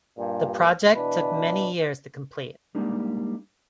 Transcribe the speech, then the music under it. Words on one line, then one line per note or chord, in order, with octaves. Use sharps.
The project took many years to complete.
G2 A#2
B2 E3 D4 B4
G3 G#3 A#3 D4 D#4